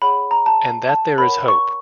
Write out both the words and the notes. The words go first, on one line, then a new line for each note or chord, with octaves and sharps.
And that there is hope.
G#4 C#5 F#5 B5
A#5
A5
A5
A#4 C#5 F#5 B5
C#6